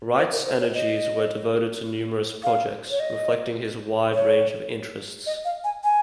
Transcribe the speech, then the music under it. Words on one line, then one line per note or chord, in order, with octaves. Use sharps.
Wright's energies were devoted to numerous projects, reflecting his wide range of interests.
C5
A#4
C5
C#5
D#5
F5
C#5
D#5
C#5
D#5
F5
G#5
G#5